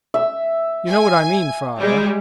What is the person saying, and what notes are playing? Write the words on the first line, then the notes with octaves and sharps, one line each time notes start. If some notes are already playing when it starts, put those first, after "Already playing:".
'You know what I mean, father.'
E5
G#5
G3 G#3